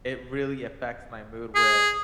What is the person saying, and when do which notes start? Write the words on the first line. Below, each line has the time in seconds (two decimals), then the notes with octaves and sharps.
it really affects my mood where
1.55 G#4